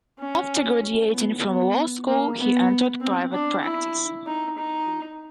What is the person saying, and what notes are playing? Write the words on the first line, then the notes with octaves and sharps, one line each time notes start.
After graduating from law school, he entered private practice.
C#4
B3
B3
A#3
B3
C4
D4
E4
D#4
D#4